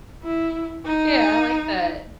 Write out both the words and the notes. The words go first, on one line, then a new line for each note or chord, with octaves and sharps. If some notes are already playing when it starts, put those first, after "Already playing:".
Yeah, I like that.
E4
D#4